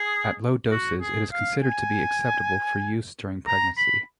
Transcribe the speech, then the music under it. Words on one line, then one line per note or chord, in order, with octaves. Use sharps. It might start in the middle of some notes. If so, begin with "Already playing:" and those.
At low doses it is considered to be acceptable for use during pregnancy.
Already playing: G#4
F#4
G#4
F5
G#5
A#5
B5